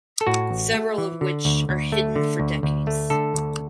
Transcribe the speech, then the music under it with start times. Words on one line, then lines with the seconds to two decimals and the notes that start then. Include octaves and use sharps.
Several of which are hidden for decades.
0.21 A4
0.27 A2 F#4
0.51 A1
0.74 A3
0.98 E3
1.21 D3
1.45 D2
1.69 D2
1.92 A3
2.16 D3
2.40 D2
2.63 D2
2.87 A3
3.10 D3 A4
3.34 D2